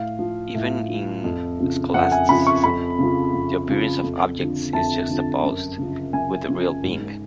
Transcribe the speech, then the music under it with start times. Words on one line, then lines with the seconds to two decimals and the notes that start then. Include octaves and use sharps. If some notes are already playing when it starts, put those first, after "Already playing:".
Even in scholasticism, the appearance of objects is juxtaposed with real being.
Already playing: A2 F5
0.19 F3
0.54 A2
0.89 F3
1.24 F2
1.59 C#3 F3
1.94 F2 F#5
2.12 G#5
2.29 C#3 B5
2.32 F3
2.47 C#6
2.63 F2 B5
2.99 C#3 F3
3.34 F2
3.69 C#3 F3
4.03 F2
4.39 D3 F3
4.73 F2 A5
5.08 D3 F3
5.43 F#2
5.78 C#3 F3
6.13 F#2 G#5
6.48 C#3 F3
6.83 G#2